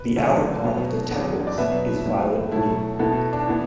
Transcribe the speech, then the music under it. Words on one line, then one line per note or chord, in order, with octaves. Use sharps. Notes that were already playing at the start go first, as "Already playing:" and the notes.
The outer part of the tepals is violet-blue.
Already playing: B4
E2 D3 F#3 A3
B2 F#3 B3
E2 D3 F#3 B3
D5
B2 F#3 B3 B4 E5
A2 F#3 B3
B2 F#3 A3 E4 A4
B2 B3 E4 A4
D4
E3 B3 E4